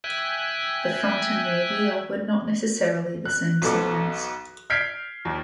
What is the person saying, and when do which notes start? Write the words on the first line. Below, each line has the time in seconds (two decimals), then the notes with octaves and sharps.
The front and rear wheel were not necessarily the same size.
0.04 E5 G5 G#5 F#6
3.25 F#6
3.62 B1 B3 A4 D6
4.70 F6 G6 G#6 B6 C7 D7
5.25 D#2